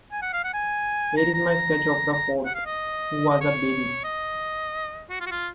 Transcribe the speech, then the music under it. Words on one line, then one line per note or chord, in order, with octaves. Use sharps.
Here is my sketch of the fourth, who was a baby.
G#5
F#5
F5
F#5
G#5
A#5
A#5
A#5
A#5
F#5
F5
D#5
D#5
C#5
D#5
F#4
F4
F#4
F4